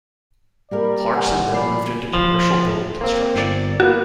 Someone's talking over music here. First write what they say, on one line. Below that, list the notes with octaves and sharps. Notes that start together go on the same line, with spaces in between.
Clarkson then moved into commercial building construction.
G3 A#3 E4 A#4 D5
F#5 G#5
F3 D5 B5 C7
F3
A#3 C4
G1 D5
A#3 B3 F#4